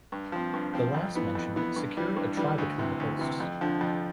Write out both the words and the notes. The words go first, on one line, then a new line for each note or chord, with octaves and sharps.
The last-mentioned secured a try between the posts.
G2
F3 C4
G2
F3 C4
F2
E3 B3
F2
E3 B3
G2
E3 G3
G2
E3 G3
D2
C3 E3
D2
C3 E3
F2
D3 F3
F2